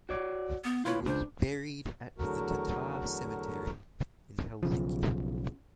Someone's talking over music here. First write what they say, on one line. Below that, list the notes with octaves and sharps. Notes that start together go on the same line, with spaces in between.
He was buried at the Tatar cemetery in Helsinki.
F#4 C#5 D5
B3
D2 A2 E4 F4 B4 C#5
C#2 D4 C5
E2 D3 F#3 A3 F#4 A#4
B1 C#3 F3